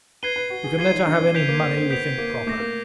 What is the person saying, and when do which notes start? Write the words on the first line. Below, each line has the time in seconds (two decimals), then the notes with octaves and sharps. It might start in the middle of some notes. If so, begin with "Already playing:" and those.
You can let her have any money you think proper.
0.23 B4 G#6 C7 D#7 G7
0.36 B4
0.50 F#4
0.64 G#4
0.78 F4 G#6 C7 D#7 G7
0.92 D#4
1.07 D4
1.20 C4
1.34 C4 G6 B6 D7 F7
1.49 A#3
1.63 C4
1.77 C4
1.90 B3 G6 B6 D7 F7
2.18 A#3
2.47 A3 D6 G6 A#6
2.60 A#3